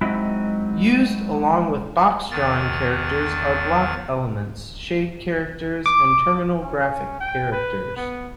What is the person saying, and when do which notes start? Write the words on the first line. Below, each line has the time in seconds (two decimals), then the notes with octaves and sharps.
Used along with box-drawing characters are block elements, shade characters, and terminal graphic characters.
0.01 F#3 G#3 C4 D#4 E4 E5
2.31 E2 D#3 A6
5.86 D6
6.61 C#4
7.20 G5
7.52 B4
7.96 B3